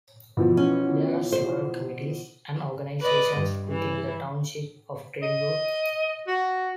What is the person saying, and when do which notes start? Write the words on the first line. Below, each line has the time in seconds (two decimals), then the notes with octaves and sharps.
There are several committees and organizations within the township of Green Brook.
0.37 B2 E3 F3
0.57 C#4
1.32 C5
3.00 B4 D5 D#5
3.37 G2
3.68 E3 E4
5.22 D#5
6.27 F#4